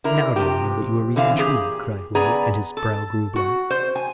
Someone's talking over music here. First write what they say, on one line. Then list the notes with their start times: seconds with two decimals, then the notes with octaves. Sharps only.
"Now do I know that you are reading truly," cried Will, and his brow grew black.
0.04 D3 E4 A#4
0.36 C3 F3 G4
1.16 D3 E3 C4 F5
1.39 A#2 G4 G#4
2.15 B3 G#4 D5 A#5
2.77 A4
3.36 F#4
3.70 C5
3.96 G#5